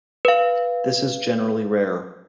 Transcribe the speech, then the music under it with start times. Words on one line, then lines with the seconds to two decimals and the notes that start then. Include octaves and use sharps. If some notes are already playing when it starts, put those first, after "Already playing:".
This is generally rare.
0.25 B4 F5